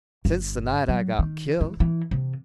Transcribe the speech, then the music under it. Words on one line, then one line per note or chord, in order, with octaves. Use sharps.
"Since the night I got killed."
G1
F#3
D#3
E3
E3
C3